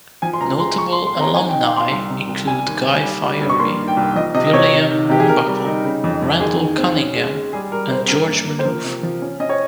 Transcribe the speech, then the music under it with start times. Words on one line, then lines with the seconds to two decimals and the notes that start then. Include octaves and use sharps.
Notable alumni include Guy Fieri, William Hornbuckle, Randall Cunningham, and George Maloof.
0.22 F3 G#5
0.33 C6
0.41 C#2 A#5
0.60 G#3 C6
0.78 G#3 C#6
0.92 C6
0.97 G#3
1.07 C6
1.16 C4 A#5
1.35 D#4 G#5
1.49 G5
1.53 D#4
1.63 F5
1.72 D#4
1.77 C6
1.91 C2
2.10 C3
2.29 C2
2.47 G3 G#5
2.66 D#2
2.85 D#2
3.03 G3
3.22 G3
3.41 G2
3.50 C#6
3.59 A#3 C6
3.78 D#3
3.88 G5
3.97 C2
4.15 F3 D#5
4.34 C3 D#5
4.47 D#5
4.53 C3 C#5
4.71 D#3
4.90 D#3
5.09 C3 G4
5.20 G#4
5.28 C3 A#4
5.47 G3
5.66 D#4
5.84 C#3
6.04 F2
6.22 F2
6.40 D#2 G#4
6.59 D#3
6.78 C4
6.96 C#4
7.16 G#3
7.34 G#3
7.53 G3 G#4
7.72 G3 A#4
7.90 C4 C5
8.09 G2 A#4
8.27 A#3
8.47 A#3
8.59 C5
8.65 F3 A#4
8.84 C3
9.03 F3
9.22 C#4
9.40 C#4 D#5
9.49 C#5